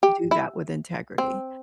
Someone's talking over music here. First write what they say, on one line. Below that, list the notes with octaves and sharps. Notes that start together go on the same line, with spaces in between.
do that with integrity.
G4
E4
C4